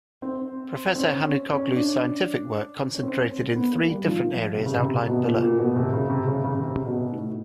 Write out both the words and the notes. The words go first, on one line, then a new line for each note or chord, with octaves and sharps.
Professor Hanukoglu's scientific work concentrated in three different areas outlined below.
C4
C4
C#4
C#4
D4
C#4
C4
B3
A#3
G3
F3
C3
C#3
C3
B2
A#2
A#2
B2
C3
C#3
C3
C#3
C#3
C#3
C3
B2
A2